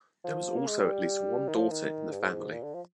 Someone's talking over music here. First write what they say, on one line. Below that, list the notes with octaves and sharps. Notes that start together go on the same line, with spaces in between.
There was also at least one daughter in the family.
F3
A#3
G#3
G3
D#3
F3
D#3
G2
G#2
A#2
D3
F3